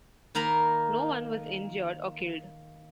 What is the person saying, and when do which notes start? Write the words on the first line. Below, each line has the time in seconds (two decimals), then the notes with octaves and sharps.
No one was injured or killed.
0.35 D#3 A#3 A#4 A#5 B5